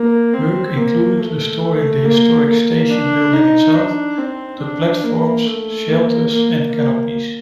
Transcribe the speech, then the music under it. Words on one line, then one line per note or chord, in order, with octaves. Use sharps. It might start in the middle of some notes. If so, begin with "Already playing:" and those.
Work included restoring the historic station building itself, the platforms, shelters, and canopies.
Already playing: A#3
C4
A#3
A3
A3
A#3
A#3
D4
D#4
D4
C4
D4
A#3
A3
A#3
A#3
A#3